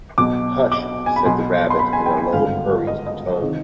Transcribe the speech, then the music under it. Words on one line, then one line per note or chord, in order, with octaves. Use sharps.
Hush!’ said the Rabbit in a low, hurried tone.
B1 B2 D6
D6
G#5
B5
B1 B2 C6
C6
B5
G#5
G5
G#5
G#1 G2 D3 F5
D#5
D#5
C3 D#3 D#5